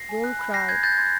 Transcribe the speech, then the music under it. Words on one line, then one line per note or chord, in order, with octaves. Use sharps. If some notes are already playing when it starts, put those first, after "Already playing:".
Don't cry.
Already playing: A#6 C7
G#5
F#6
B5
G6 A#6 C7
G6 G#6
G6 A6
C6 G#6